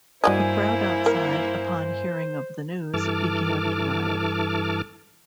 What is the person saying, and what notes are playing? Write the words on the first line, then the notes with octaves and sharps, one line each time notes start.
The crowd outside, upon hearing of the news, began to riot.
G2 A#3 E4 F#4 C5 D5 D#5 G#5
A#4
G2 E3 A4 A5 D6 F6